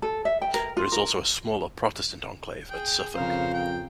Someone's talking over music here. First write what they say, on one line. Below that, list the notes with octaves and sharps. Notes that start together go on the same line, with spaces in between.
There is also a smaller Protestant enclave at Suffolk.
A4
E5
G5
A#4
F4
A#4
G#4 G5
F2 C#3 A#4 C5 F5
G5